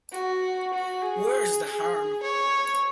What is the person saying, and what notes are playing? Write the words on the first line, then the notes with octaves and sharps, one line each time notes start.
Where's the harm?
F#4
F#4
G#4
G#4
C#5